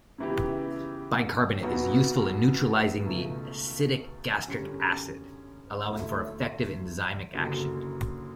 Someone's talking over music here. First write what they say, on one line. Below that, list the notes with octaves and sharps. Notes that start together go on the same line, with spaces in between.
Bicarbonate is useful in neutralizing the acidic gastric acid, allowing for effective enzymic action.
C#3 E3 B3 E4 G4
B1 B2 F#3 B3 F#4
C#2 B2 A3
F#2 D3 G3 C#4
D2 D3 A3 E4
F#1 F#2 D3 F#3